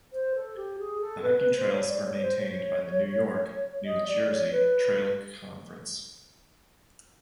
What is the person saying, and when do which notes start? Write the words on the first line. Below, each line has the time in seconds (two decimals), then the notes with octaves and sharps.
The hiking trails are maintained by the New York - New Jersey Trail Conference.
0.13 C5
0.35 A4
0.56 G4
0.78 G#4
1.01 A4
1.22 B4
1.38 B4
1.55 C5
1.72 C#5
1.88 D5
2.04 C#5
2.21 C5
2.37 C#5
3.85 D#5
4.07 D5
4.29 C#5
4.51 B4